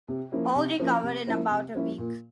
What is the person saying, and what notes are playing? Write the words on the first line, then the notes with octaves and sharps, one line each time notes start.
All recovered in about a week.
C3
F3 A#3 C#4 E4
C3
F3 A#3 C#4 E4
C3
F3 A#3 C#4 E4
C3
F3 A#3 C#4 E4
A#2